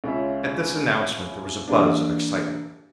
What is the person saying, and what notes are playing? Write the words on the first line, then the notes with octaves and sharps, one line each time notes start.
At this announcement there was a buzz of excitement.
C#2 C#4 F4 E5
E3 G3 A#3 D4